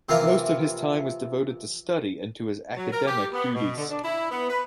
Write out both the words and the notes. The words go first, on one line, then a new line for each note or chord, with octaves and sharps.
Most of his time was devoted to study and to his academic duties.
C3 E3 F3 A#3 E4 F4
F#3
A#4
G4
B3
B2
D3
D4
E4
B3
B4